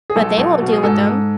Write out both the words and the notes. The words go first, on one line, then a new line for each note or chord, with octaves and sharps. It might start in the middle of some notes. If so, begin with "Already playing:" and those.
But they won't deal with them.
G#4
B1 A4
B1
B2
G#4
G#2 A4
G#2